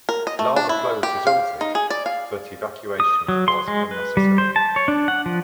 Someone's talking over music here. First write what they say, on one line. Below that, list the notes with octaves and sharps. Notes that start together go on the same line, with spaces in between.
Lava flows resulted, but evacuation was unnecessary.
A#4
D#5
A3
D4
E4
G4
F5
D#4
G#4
D5
F5
D#6
F#3
C6
G#3
B4
G3
C5
A5
C#5
D4
F#5
F3